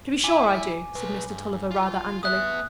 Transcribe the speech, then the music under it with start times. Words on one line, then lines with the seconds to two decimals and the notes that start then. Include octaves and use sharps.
"To be sure I do," said Mr. Tulliver, rather angrily.
0.24 E4 E5 G#5 D6
0.95 B1 B4
1.28 G2
1.71 F4
2.23 B3 E5 D#6 F#6